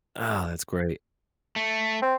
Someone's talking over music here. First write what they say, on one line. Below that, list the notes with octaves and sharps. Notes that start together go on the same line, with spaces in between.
Ah, that's great.
A3
C4